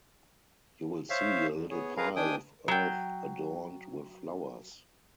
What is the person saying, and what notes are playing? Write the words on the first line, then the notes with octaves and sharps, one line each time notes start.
You will see a little pile of earth adorned with flowers.
C5 C#5 E5 F5
E2
B3 G#4 C#5
G#4 A#4 B4 F5 A#5
D#3 D4 G5 G#5 D#6
F#3 G5